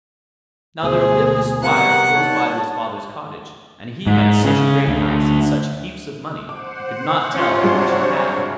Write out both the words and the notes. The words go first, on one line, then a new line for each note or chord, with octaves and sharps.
Now there lived a Squire close by to his father's cottage, and he had such a great house, and such heaps of money, he could not tell how much he had.
D2 B2 G#4 C5 D#6
C3 G3 B3 A#4 F#5 C#6
G3 A#3 D#4 C#5 A5
G#2
C#3
D2
C5 F#5 D6
C3 C#4 F4 C#5
G2 F#3 G#3 D4